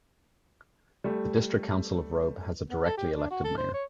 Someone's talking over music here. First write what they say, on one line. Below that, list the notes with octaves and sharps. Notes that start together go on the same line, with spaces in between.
The District Council of Robe has a directly-elected mayor.
G3 A3
B3
A4
G4
D4
F#4
A4
C5
C#5